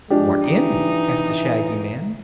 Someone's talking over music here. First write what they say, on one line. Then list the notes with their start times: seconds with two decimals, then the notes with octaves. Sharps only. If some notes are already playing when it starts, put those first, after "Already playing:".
"What in?" asked the shaggy man.
0.10 F3 G#3 D4 G4
0.46 E3 D#4